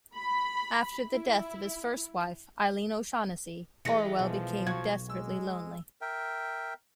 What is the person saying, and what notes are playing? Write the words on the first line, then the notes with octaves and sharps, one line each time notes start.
After the death of his first wife Eileen O'Shaughnessy, Orwell became desperately lonely.
B5
E4
E3 G#3 A#6 C#7
B1 F3
F#4 G#6
G#3 E6
A#4 E5 G5